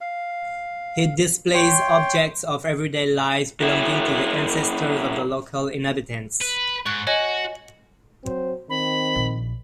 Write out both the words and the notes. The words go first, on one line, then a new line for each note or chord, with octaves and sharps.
It displays objects of everyday life belonging to the ancestors of the local inhabitants.
F5
C#5 G5 C6
F#2 E4
B4
G#2 C#6 F#6 A6
F#4 C#5 D#5 G#5
F#3 C4 C5
D#3 C4 B5
A#1